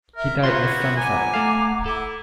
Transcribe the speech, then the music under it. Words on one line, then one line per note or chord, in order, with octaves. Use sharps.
He died at Summerside.
A#4 E5
B3 F4 F#4 A#4 C6 G6 G#6
F#5 G#5 A#5 D6
A3 A4 F5
E4 A4